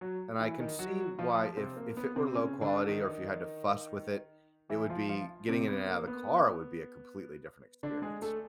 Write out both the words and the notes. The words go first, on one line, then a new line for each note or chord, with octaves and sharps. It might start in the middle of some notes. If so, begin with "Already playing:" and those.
And I can see why if if it were low quality, or if you had to fuss with it, it would be getting in and out of the car would be a completely different experience.
F#3 F#4
E3 E4
D#3 D#4
F#3 F#4
F3 F4
C3 C4
A#3
B3
C3 C4
C#3 C#4
D3 D4
D#3 D#4
E3 E4
F3 F4
F3 F4
C3 C4
B3
A#3
B3
D3 D4
G#3 G#4
A3 A4